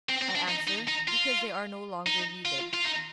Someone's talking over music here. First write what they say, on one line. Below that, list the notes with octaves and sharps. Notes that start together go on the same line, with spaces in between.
I answer: Because they are no longer needed.
C4
C4
D4
D#4
D#4
D#4
F4
D#4
F4
F4
D#4